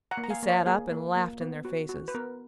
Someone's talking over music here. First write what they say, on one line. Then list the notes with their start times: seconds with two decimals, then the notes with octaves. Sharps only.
He sat up and laughed in their faces.
0.11 F#5 A#5
0.17 A#3
0.24 A#5
0.30 F5 G#5
0.43 A#3
0.48 C#5 F5
0.66 A#3 G#4
0.91 A#3
1.16 A#3
1.41 B3
1.65 F#4
1.89 F#4
2.08 B4
2.14 B3 A#4